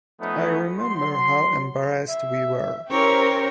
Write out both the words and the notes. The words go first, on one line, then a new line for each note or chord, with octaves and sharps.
I remember how embarrassed we were.
F3 A3 B3 C#4 D#4
F#3 C6
E5
C#4 E4 G4 A#4 C5 C#5